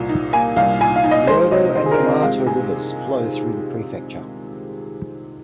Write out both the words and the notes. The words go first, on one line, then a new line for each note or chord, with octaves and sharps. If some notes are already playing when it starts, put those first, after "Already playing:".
The Yodo and Yamato Rivers flow through the prefecture.
Already playing: C2 A#2
D#4
A#3 G#5
C2 F5
A#2 G#5
F5
D#4
D#5
G#3 C5
C3 D#5
D#3 C5
G#4
A#4
C4
D#5
G#3 F5
C3 G#5